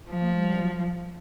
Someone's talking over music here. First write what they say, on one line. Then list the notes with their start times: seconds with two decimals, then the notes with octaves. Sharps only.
Oh man.
0.10 F3